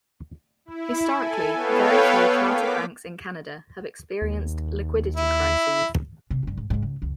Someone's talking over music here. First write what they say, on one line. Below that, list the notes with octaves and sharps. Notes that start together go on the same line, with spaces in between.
Historically, very few chartered banks in Canada have experienced liquidity crises.
E4
A4 G#5
B3 A4 B4 C#5 F5 G5
A#3 D6 B6
D#2
E4
C3
C#2 G2
G#2
C#2 G#2
C#2
C#2 F#2